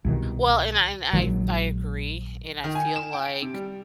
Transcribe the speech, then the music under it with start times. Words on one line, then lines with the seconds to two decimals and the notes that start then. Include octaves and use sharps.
Well, and I and I I agree. And I feel like
0.05 C2 B2 D#3
1.13 A#1 D#3 F#3 G#3
2.64 D#3
2.75 G#5
2.96 E7
3.13 G5
3.25 D7
3.42 C3
3.54 G3